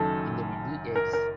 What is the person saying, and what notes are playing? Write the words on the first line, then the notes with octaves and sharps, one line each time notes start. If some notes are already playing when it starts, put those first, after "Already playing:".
In the Middle Ages.
Already playing: F#1 F#2 D#3 A4
A#4
A#4